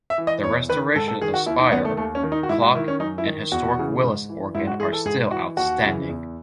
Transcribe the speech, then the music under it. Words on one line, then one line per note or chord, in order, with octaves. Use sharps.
The restoration of the spire, clock, and historic Willis organ are still outstanding.
E5
E3
D#5
E2 C#5
D#3 B4
G#2 A4
A4
D#3 G#4
F#4
D#2 E4
D#4
D#3 B3
A3
D#2 A3
C#4
D#3
D#4
F#4
G#2 E4
F#4
D#3 E4
C#4
F#2 D#4
E4
D#3
E2 F#4
C#3 E3
G#2
E3
G#2 E4
F#4
E3 G#4
A4
G#2 G#4
E3 F#4
D#2 F#4
C#3 E3
E2